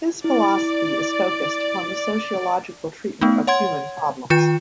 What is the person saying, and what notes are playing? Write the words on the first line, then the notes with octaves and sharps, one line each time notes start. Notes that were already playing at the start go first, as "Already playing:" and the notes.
His philosophy is focused upon the sociological treatment of human problems.
E4 D5
A3 B3 D#4
C#5 F#5 C6 G#6
D#3 F4 G5 G6 C#7 E7